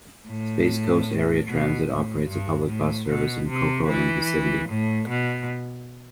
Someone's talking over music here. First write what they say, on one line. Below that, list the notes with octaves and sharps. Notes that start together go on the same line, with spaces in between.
Space Coast Area Transit operates a public bus service in Cocoa and vicinity.
A2
B2
A2
G2
A2
B2
C3
E3
A2
B2